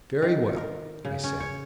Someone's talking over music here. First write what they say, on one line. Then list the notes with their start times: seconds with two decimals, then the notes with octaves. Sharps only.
"Very well," I said.
0.22 D#3
0.57 A#4
1.05 C#3
1.24 C#4
1.40 C#5